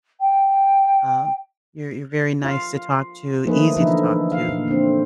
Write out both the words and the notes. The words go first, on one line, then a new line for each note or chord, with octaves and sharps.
Um, you're you're very nice to talk to, easy to talk to
G5
F4 F5
F3 A3 A#3 D#4 G#4 B4
D3 E3 F3 D#4 E4
F5
A#2
D3 C4